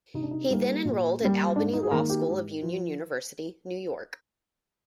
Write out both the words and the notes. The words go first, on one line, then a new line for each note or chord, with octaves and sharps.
He then enrolled at Albany Law School of Union University, New York.
C3 D#4
D4
D#4
G3 A#3
A#2
G3 A#3
G#2 D4
D#4
G#4
D#3 A#3 A#4
G4
G#2
F3